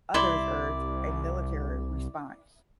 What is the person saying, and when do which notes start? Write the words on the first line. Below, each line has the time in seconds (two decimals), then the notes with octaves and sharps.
Others urge a military response.
0.14 C2 E4 D5 C6